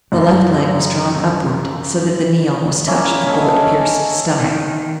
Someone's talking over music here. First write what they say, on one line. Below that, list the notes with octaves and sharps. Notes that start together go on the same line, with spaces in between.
The left leg was drawn upward so that the knee almost touched the bullet-pierced stomach.
F#2 E5 A#5
A#3 C#4 E4
C#4 G#4 A4 D#5
D#3